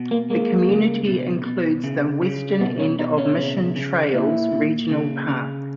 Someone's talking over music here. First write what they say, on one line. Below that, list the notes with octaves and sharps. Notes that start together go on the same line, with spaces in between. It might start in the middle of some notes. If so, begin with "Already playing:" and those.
The community includes the western end of Mission Trails Regional Park.
Already playing: B2
A#3
G#3 A#3
C#3
B2
B2
C#3
C#3
B2 B3
C#4
B2 D#4
C#4
C#3
C#3
A#2 E4
A#2
C#3
C#3